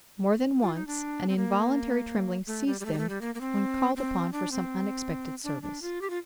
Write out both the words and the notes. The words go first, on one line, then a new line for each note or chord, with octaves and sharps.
More than once an involuntary trembling seized them when called upon for some unexpected service.
F4
D#4
D4
C4
A#3
A3
G3
G3
A3
G3
A3
G3
A#3
A#3
C4
C4
D4
C4
D4
D4
F4
G4
F4